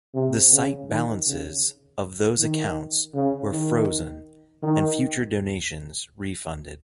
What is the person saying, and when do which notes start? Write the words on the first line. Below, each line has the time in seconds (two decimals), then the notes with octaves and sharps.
The site balances of those accounts were frozen and future donations refunded.
0.14 C3
0.52 C#3
0.89 D#3
1.26 C#3
2.39 D#3
3.14 C#3
3.51 D#3
4.63 D#3